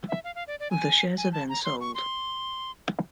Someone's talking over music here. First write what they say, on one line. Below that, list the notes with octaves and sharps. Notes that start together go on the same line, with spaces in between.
The shares are then sold.
E5
F5
F5
D5
D5
G#5
G#5
A5
A#5
C6
C#6
C6